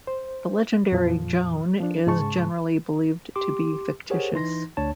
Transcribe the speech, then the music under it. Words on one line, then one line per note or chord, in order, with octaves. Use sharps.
The legendary Joan is generally believed to be fictitious.
C5
F2 A#2 F3
F3 D4
G#2 C#3 G#3 A5 C#6
G4 C6 D6
G4 G#4 A#4 C5 C#5 F#5
E3 D#4 C6 A#6
D2 D4 C#5 A5